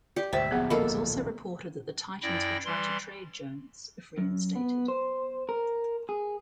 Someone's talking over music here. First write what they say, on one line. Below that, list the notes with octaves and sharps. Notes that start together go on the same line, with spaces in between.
It was also reported that the Titans would try to trade Jones, if reinstated.
G4 D5
D2 G#2 B2 C5 E5 G5
D1 A#1 B3 G#4 F#5
A#3 A4 D#5 B5
F#2 E4 D5 G5 A#6
E3 G3 C6
F#2
B3
C5
A#4
G#4